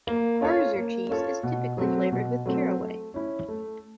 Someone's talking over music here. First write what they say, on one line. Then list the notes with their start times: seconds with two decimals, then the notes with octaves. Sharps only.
Harzer cheese is typically flavoured with caraway.
0.07 A#3
0.41 C#4 F4 A4 C#5
0.75 A#3
1.09 C#4 F4 A4 C#5
1.43 B2
1.78 F#3 A3 C4
2.12 B2
2.46 F#3 A3 C4
2.80 A3
3.14 C#4 E4
3.48 A3